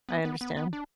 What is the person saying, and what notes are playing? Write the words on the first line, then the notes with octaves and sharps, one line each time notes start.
I understand.
B3
B3
B3
B3
D4